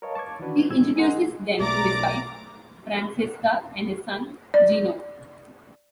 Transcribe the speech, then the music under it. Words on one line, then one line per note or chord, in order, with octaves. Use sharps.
He introduces them to his wife, Francesca and his son, Gino.
A#4 B4 C#5 D#5 F5 A5
A5 C#6 D6 G#6
D#3 E3 C#4 D4 F#4 B4
A2 E3 G#3 D#4 E6 G#6
G#4 A#4 D#5 F#5 C6
B1 A3 D5 A#5 D6
D5